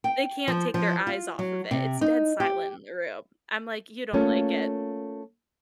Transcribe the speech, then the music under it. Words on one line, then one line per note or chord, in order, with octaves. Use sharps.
They can't take their eyes off of it, it's dead silent in the room, I'm, like, "You don't like it?"
G5
F3
F3
F4
F#3
C3
D#4
G4
A3 A#3 C#4 F4